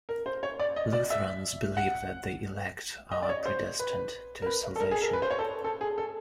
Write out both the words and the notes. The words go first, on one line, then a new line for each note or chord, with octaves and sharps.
Lutherans believe that the elect are predestined to salvation.
A#4
C5
C#5
D5
D#5
D5
E5
F#5
D#5
D5
C#5
C5
B4
A#4
B4
A4
A#4
G#4
A#4
B4
C5
C#5
A4
A4
G#4
A4